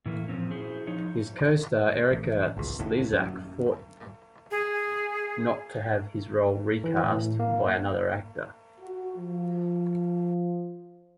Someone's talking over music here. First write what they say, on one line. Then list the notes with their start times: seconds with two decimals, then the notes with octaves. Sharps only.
His co-star Erika Slezak fought not to have his role recast by another actor.
0.06 A2 E3 A3 A#3
0.28 A#2 F3 C4 C#4
0.51 E4 F#4 G#4 C5
0.87 F3 D#4 C#5
2.12 A1
2.57 G#1 C#2
2.79 G#1 D#2 A2
3.13 F#2
4.51 G#4
6.84 E3
7.04 A2
7.40 A#3
8.80 F#4
9.17 F3